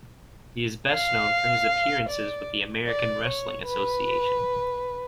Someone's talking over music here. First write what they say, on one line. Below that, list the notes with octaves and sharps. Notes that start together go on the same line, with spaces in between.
He is best known for his appearances with the American Wrestling Association.
F5
D5
D5
C#5
B4